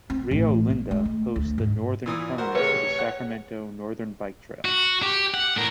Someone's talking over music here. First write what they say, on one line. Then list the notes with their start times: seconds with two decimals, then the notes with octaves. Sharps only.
Rio Linda hosts the northern terminus of the Sacramento Northern Bike Trail.
0.10 C4
0.31 A1
0.70 B3
0.91 G#3
1.05 A3
1.36 D2
1.58 G#2
2.06 A#2 E3 D#6
2.38 F#4 A#4 C5
2.55 A1 C3 G#4 B4 C#5
2.99 F#5
4.65 F#4
5.03 G4
5.34 F#5
5.56 A2 A#4